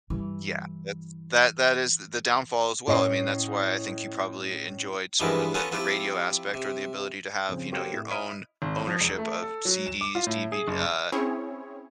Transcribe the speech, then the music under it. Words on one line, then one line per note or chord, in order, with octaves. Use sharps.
Yeah, that's that that is th the downfall as well. I mean, that's why I think you probably enjoyed, sort of, the the radio aspect or the ability to have, you know, your own ownership of CDs, DV uh,
G2 E3
A2 C#4 C#5 D#5 C7
G2 E3 F3 G#3 B3 D6
B3 C#4 F4 A4 G#5 A#5
F3 C4 E4 F4 G4
C3
F2 C#3 C4
F#3 A#3 G4 A4 C5
A2
E4 C#5 D#5 B5 F6
G#1
F3
E1
A3
A4
F#3
E7
D6
F4
A2
G#4
F#1
C4 C#4 E4 G#4 C#5